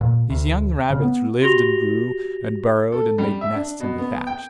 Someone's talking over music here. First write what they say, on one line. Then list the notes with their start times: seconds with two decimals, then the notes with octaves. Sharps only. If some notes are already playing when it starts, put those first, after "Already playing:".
These young rabbits lived and grew, and burrowed and made nests in the thatch.
0.01 A#2
0.30 D2
0.90 C#3
1.02 B3
1.42 F#4 G4 A#6 F7 G7
2.92 A4
3.18 G3
3.41 E5
3.54 D4
3.80 B2
3.98 B3
4.27 G5